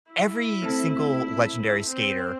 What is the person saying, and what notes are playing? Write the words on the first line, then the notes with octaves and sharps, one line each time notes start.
every single legendary skater
E4
A3 C4 A5
C4